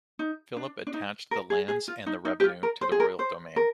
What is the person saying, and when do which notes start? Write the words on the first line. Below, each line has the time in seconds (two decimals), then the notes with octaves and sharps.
Philip attached the lands and their revenues to the royal domain.
0.19 D#4
0.57 D4
0.87 D4
0.94 D#4
1.31 A#4
1.50 G#4
1.68 G#4
1.88 F4
2.06 D#4
2.25 D#4
2.40 G4
2.44 F4
2.63 A#4
2.81 C5
2.92 G#4
3.00 A#4
3.19 C5
3.56 A#4